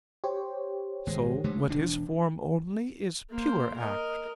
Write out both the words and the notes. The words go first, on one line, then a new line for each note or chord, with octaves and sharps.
So what is form only is pure act.
G4 C5 C#5
G#1 G#3
D3 G#3 A3
E1 D4
A#3 C5
A#4 D#5